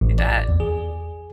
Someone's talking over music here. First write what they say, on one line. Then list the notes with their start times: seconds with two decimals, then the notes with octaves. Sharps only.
I bet.
0.01 A1
0.18 D5
0.49 E2
0.60 G#4